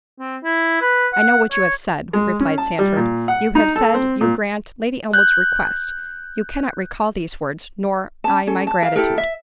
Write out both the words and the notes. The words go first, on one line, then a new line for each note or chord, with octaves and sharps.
"I know what you have said;" replied Sandford, "you have said you grant Lady Elmwood's request--you cannot recall these words, nor I my gratitude."
C4
E4
B4
F#5
C#5
G#3
C#4
A5
G3
A#2
F#5
D#4
A4
C4
A#2
F#6 G6
C#4 A5
C#4 A4
A5
A#4 F5
E4 G4 A4 A#4
E5